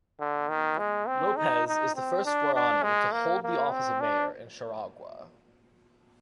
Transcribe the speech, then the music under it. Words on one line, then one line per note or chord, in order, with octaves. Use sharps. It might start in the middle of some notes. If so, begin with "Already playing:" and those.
Lopez is the first Guarani to hold the office of mayor in Charagua.
D3
D#3
G#3
C4
D#4
D#4
C4
D4
D4
G#3
A#3
A#3
C4
D4